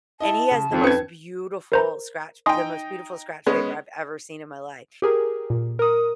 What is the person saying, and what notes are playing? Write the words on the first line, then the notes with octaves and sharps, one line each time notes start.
And he has the most beautiful scratch the most beautiful scratch paper I've ever seen in my life.
E4 D#5 A5
C#3
F2 D#3
C#4 D#4 B4 G#6 C#7
A#4 C5 A#5
D#4 G5 G#5 C6 D#6
G#3 B3 C#4
G4 G#4 A#4
A#2
A#4 D#6